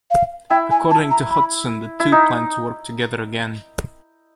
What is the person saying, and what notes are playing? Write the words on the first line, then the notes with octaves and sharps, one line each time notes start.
According to Hutson, the two plan to work together again.
F5
E4 G5
G#5
A5
A#5
B5
E4
D#4